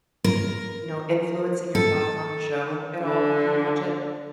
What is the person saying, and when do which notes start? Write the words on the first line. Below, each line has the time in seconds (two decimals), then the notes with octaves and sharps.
you know, influencing your thoughts on the show, at all, when you watch it?
0.24 A#4
1.75 A4
3.02 D3